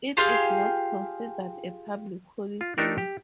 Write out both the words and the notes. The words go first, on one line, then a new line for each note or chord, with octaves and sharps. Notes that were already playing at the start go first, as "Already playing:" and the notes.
It is not considered a public holiday.
F4 G4 G#4 F5
F4
A3 D4 D#4 G4 A4 A#4
G4